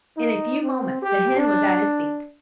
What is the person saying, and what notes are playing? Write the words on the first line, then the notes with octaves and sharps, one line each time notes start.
In a few moments the hen was at his feet.
D#4
C4
G4
D4